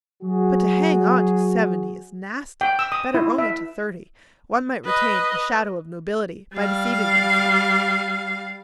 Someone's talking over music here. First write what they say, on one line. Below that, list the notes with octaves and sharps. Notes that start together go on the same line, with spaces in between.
But to hang on to seventy is nasty, better only to thirty; one might retain 'a shadow of nobility' by deceiving oneself.
F#3 F#4 G#4
G5
E6
D#6
E4
E5
B4 D#5
G3 F5